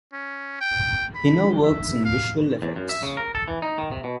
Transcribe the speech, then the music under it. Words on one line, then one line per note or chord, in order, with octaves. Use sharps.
He now works in Visual Effects.
C#4
G5
B5
E5
F5
E2
F#2
E5
C#3
A#4
A4
E3
D#4
D#3
C3
B2